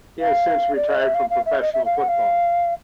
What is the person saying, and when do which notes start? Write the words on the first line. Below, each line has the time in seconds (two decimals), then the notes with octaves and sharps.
He has since retired from professional football.
0.20 F5
0.75 D5
0.87 D#5
1.00 E5
1.14 F5
1.30 F5
1.45 E5
1.61 D#5
1.73 E5
1.85 F5
1.96 F#5
2.08 F5